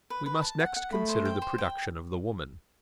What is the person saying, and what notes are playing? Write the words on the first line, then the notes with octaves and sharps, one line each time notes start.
We must next consider the production of the woman.
B4
B4
A5
F#5
F#5
A3 B5
C5
G5
C5
G5